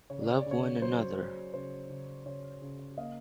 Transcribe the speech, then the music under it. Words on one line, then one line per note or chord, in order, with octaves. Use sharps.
Love one another.
C#3 C#5
D5
C#5
D5
C#3
C#5
F#3 C5
F#3
C#3 C5
C#3
C#3 C#5
C#3
A#3 D#5 F5